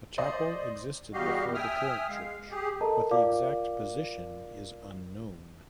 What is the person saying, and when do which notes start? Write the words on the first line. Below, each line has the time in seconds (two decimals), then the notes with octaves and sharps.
A chapel existed before the current church but the exact position is unknown.
0.18 C5 D5 D#5
1.13 E2 G3 F#4 G4 D#5 F5
1.54 E5 G5 G#5 D#6 F6
2.08 G#3 F5
2.50 G4 G#4
2.81 A4 A#4 D#5 A5 A#5
3.11 F4 A#4 D5 F5 D6